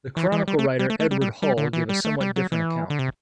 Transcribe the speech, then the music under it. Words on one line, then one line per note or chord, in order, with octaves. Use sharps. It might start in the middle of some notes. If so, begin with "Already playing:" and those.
The chronicle writer Edward Hall gave a somewhat different account.
E3
E3
G3
A3
G3
A3
A3
G3
G3
G3
D3
E3
G3
A3
G3
F#3
E3
D3
C3